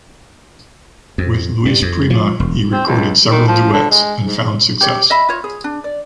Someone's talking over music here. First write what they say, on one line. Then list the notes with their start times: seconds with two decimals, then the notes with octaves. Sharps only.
With Louis Prima he recorded several duets and found success.
1.18 F2
1.65 G2
1.82 F2
2.10 F3
2.40 E1
2.72 C4
2.87 C#2
3.30 D#3
3.48 F3
3.73 D3
3.90 G#3
4.23 G#2
4.81 G4 C#5
5.10 D#5 E5 B5
5.29 F4 C#5
5.44 G#4
5.64 D4
5.84 D5